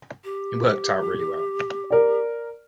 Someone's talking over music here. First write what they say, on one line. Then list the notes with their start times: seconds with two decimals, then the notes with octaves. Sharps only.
It worked out really well.
0.24 G4
1.90 A#4 D5